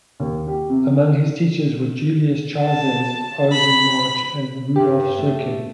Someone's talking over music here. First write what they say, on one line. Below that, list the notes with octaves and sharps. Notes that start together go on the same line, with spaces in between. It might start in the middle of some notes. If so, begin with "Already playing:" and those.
Among his teachers were Julius Chajes, Ozan Marsh and Rudolf Serkin.
D#2
G4
C3
A5
B5
G2 G4
A3